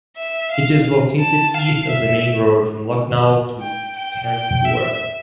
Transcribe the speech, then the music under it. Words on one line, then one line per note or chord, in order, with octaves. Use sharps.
It is located east of the main road from Lucknow to Kanpur.
E5
F5
A5
F5
E5
G5
G5
G5
E5